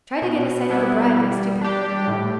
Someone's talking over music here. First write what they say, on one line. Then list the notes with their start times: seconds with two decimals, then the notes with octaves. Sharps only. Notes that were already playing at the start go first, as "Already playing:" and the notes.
"Try to get a sight of the bride by stooping very low."
0.22 B2
0.69 G3 B3 E4
1.15 G3
1.61 D4 G4
2.07 A2